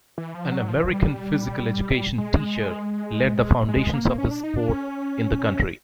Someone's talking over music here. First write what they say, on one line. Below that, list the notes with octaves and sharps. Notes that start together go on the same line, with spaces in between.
An American physical education teacher laid the foundations of the sport in the country.
E3
F3
F#3
F3
G3
G#3
G#3
A#3
C#4
D4
D#4
D4
C#4